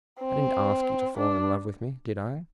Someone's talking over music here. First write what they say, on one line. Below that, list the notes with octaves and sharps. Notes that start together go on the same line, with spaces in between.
I didn't ask you to fall in love with me, did I?
C4
D4